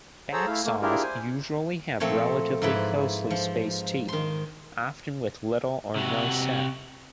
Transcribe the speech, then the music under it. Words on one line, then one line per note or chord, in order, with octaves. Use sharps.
Backsaws usually have relatively closely spaced teeth, often with little or no set.
G#4 A4 C5 C#5 A#5 E6
A3 E4 F5
A3 A#3
D4 E4 F4 G4 G#4 A#4
C5 G#5
A#2 F3 A3 C4 C5 C#5
G#2 F3 E4 B4 D5 B5
F3
D#3 C6
C3 F#4